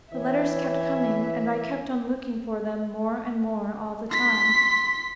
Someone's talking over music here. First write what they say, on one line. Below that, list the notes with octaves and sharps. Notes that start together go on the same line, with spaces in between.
The letters kept coming, and I kept on looking for them more and more all the time.
E3 C#5 E5
C6 B6